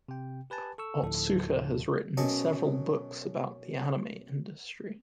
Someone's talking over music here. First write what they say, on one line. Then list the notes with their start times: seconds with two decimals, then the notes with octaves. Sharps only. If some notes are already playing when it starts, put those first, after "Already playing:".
Otsuka has written several books about the anime industry.
0.08 C3 G5
0.50 G4 B4 G#5 A5
0.78 A4 C#6 E6
1.03 D2 A2 D3 F3 E4 A4
2.17 F#2 B2 C#4 D#5 A5 C#6